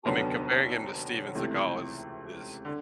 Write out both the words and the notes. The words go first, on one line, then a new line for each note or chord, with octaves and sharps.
Well I mean, comparing him to Steven Seagal is is
F1 D#2 D3 F#3 B3
C#2 C3 E3 A3
D3